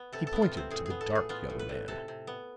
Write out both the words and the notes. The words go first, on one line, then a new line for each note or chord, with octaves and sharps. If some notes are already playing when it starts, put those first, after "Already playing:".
He pointed to the dark young man.
Already playing: B3
C3 A4
A4
B3 E4
F4
C3
C4
A2 G#4
B3 G#4
A4
A2
G#4
B3 F4
A2
B4
A2
C3 A4
C3
B3